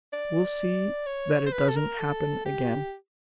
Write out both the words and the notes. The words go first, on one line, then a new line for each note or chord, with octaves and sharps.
"We'll see that it doesn't happen again."
D5
C#5
C5
B4
A4
A#4
A4
G4